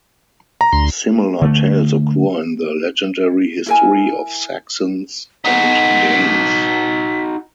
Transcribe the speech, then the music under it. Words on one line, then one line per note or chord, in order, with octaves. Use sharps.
Similar tales occur in the legendary history of Saxons and Danes.
A#5
D2 C6
D3 A3
E4 A#4 G#5
D#4 F#4 B6